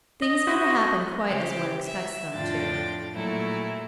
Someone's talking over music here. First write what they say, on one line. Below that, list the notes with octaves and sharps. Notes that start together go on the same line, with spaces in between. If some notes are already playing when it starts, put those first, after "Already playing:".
Things never happen quite as one expects them to.
D#5
F#4 C5 D#5
C#3 G4 C5
E5
F2 A2 D4 F4 G5 A6
A#2 F#3 A3 E4 A4